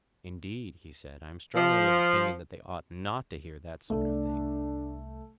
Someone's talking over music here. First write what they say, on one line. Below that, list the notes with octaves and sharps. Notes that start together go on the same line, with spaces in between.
Indeed, he said, I am strongly of opinion that they ought not to hear that sort of thing.
F3
C2 A3 D4